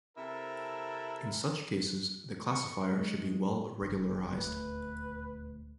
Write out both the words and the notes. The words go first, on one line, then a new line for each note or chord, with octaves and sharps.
In such cases, the classifier should be well-regularized.
C3 C4 E4 A4 A#4
C#6
G#3
G1
D#1 D2 A3 B4